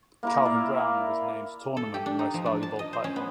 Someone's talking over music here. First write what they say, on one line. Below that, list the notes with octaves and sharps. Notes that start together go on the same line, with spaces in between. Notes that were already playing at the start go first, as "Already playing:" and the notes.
Calvin Brown was named Tournament Most Valuable Player.
A#3 E4 A#4
E4 D5 E5 F5
A4
G4
D4
D#4
F3
D4
A5
D#5
C5
C#4
B3